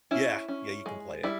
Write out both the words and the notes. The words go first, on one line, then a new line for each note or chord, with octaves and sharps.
Yeah, yeah, you can play it.
C#4 E4
C#4
G#3
G3 E4